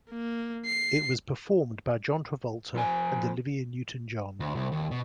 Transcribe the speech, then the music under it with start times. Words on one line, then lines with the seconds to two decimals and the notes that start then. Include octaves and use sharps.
It was performed by John Travolta and Olivia Newton-John.
0.11 A#3
0.66 C7
2.74 F2 C4 G#5
4.40 D2
4.55 C2
4.72 D#2
4.91 B2